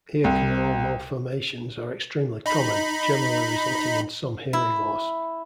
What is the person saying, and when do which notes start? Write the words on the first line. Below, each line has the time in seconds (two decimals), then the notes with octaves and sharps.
Ear canal malformations are extremely common, generally resulting in some hearing loss.
0.24 C2
2.46 D#4 B5
4.53 E4